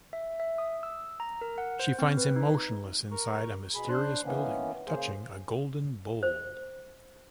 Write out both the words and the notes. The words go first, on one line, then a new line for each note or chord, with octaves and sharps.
She finds him motionless inside a mysterious building, touching a golden bowl.
E5
E5
D#6
E6
A#5
A#4
F#5
C5
C4
B4
D#4
A#4 A#5 C#6
B2 G#4 B5
D4 C5 C6 F#6
D#3 E3 A#3 B3 C#4
C#3 A#3 G#4 C5
C5